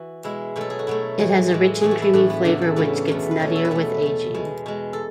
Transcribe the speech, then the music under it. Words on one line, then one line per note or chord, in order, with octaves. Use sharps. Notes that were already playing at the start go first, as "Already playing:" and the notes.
It has a rich and creamy flavor which gets nuttier with aging.
Already playing: E3 F#4
B2 G#3 E4
B2 F#3 A3 A4
G#4
F#4
B2 F#3 A3 E4
A2 E3 G#3
A2 E3 G#3
A2 E3 A3 G#4
F#4
E4
A2 E3 A3 D4
B3
E2 C#3 E3 A3 D4
A4
E2 C#3 E3 A3 B4
E2 B2 A3
B4
E2 B2 A3 C#5
A4
B4
B2 A3 A4
B2 A3
B2 G#3
B2 G#3
A4